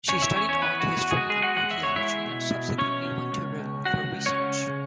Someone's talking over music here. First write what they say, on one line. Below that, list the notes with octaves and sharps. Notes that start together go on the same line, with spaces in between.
She studied art history and archaeology and subsequently went to Rome for research.
E2 C#4 C#5
E4 E5
E2 C#4 C#5
C#4 C#5
E3 B3 B4
F#4
E2
F#4
G#4
G#3 F#4
G#3 G#4
G#3 F#4 F#5
F#5
E2 E5
C#5
G#3 E4 E5
B2
B2
B2 C#4 C#5
B2
C#2
C#2
C#2 F#4 F#5
C#2
C#4 C#5
C#3
C#3